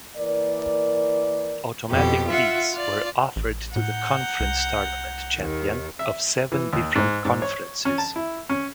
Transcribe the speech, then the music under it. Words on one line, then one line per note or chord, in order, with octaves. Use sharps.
Automatic bids were offered to the conference tournament champion of seven different conferences.
E3 A#3 A#4 D5
F2 B2 G4
F4 E5 F#5
F4 D5
A1
A2 F#5 A#5 G6
C2
D#2 D#3
E5
E3
D#2
G#2
G#2
C#5
C#4
A5
E4
C#4